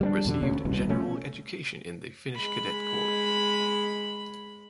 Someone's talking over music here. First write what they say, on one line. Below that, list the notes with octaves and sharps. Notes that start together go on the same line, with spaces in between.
Received general education in the Finnish Cadet Corps.
G3 B3 D4
E2 B2 D3
E1 D2 C#3 C#4
D#1 C2 B2
B2 A3 C#4
G#3 B5